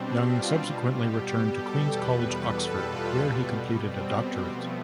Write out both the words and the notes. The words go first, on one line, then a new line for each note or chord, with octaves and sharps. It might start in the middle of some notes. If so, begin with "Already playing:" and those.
Young subsequently returned to Queen's College, Oxford, where he completed a doctorate.
Already playing: B2 G3 C4 D4
F4
B2 G3
G4
A4
E2 B2 G3 B4
A4
F4
B2 G3
C4
F3 A3 B3